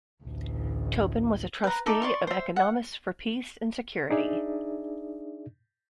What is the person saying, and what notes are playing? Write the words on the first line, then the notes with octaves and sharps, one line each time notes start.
Tobin was a trustee of Economists for Peace and Security.
A1 D2
B4 A#5
D#4 A4 E5 D6
D5 C6 C#6
C5 E5
F#5
D4 D#4 G#4 D5 E5